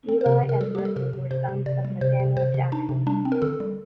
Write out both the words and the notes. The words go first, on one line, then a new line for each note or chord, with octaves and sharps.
Eli and Martin were sons of Nathaniel Jackson.
C4
C5
C3 A#4
C3
A#4
G3 A4
G3 G4
A4
C3 A#4
C3
C3 C5
C3
C3 D5
G3
C3 C5
C3
C3 C5
C3
D4 D#4
C3
G3 D4
C4
A#4
D3 A4
G3